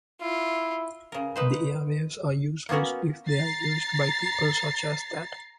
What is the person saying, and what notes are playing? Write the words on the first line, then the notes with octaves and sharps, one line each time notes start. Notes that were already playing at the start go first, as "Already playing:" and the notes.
The airwaves are useless if they are used by people such as that.
E4 F4
C#3 A#4
D#4 B4 C5
A#3 B3 C#4 F#4 A#4
A#5 A6 C7